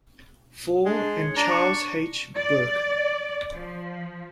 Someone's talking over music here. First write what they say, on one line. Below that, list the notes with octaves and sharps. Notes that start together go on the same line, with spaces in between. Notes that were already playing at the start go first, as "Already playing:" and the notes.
Fall and Charles H. Burke.
G#3 D4
C#5
D4 A#5
C#6
D5
F3